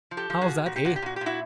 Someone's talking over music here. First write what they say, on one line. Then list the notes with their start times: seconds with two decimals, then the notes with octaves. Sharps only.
How's that, eh?
0.11 F3
0.17 G4 A4
0.30 F3
0.41 F#4 G#4
0.48 A#2
0.66 A#2 F#4
0.76 G4
0.85 A#2 F#4
0.96 G4
1.02 A#2 F#4
1.16 G4
1.21 A#2
1.26 E4 F#4